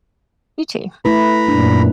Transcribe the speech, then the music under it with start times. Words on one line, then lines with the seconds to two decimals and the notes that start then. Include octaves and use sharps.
You too.
1.05 A3 E4 B4 A#5 B5
1.48 F#2 A#2 D4